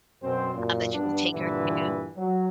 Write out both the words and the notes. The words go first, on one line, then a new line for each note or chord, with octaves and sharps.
uh, that you can take her to
F#2 B2 C4 C5
F#2 A#2
G2 B3 D4
G2 A#2 D3 E3
F#3